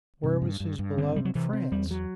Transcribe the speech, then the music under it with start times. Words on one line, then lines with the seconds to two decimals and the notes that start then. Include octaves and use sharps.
Where was his beloved France?
0.24 G2 C3
0.42 G2
0.60 G2
0.79 G2
0.98 D3 C4
1.16 C3 G3
1.25 F#3
1.35 C3 E3
1.53 C4
1.72 E2 G3
1.91 F#3